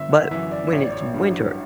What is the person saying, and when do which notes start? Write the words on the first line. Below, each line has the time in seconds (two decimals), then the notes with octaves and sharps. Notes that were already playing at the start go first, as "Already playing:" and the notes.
but, when it's winter,
Already playing: G1 E5
0.10 F#5
0.31 F#2 E3 E5
0.51 D5
0.73 A1 C#5
0.82 D5
0.92 C#5
1.14 G2 F#3